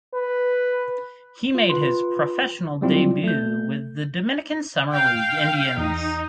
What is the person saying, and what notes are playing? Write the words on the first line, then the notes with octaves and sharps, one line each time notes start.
He made his professional debut with the Dominican Summer League Indians.
B4
F4
F4 B4 C6
F#3 G3 C4 E4 F4
A3 G6
F5 G5
E2 D#4